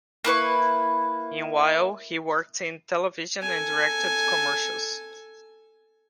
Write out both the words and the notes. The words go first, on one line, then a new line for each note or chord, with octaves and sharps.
Meanwhile, he worked in television and directed commercials.
A#3 E4 B4 C#6
A4 G#5